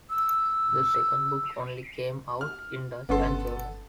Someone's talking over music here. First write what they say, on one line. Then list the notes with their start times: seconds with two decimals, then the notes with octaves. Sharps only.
The second book only came out in Dutch and German.
0.10 E6
2.41 F6
3.09 G1 B3 C#4 A4 C6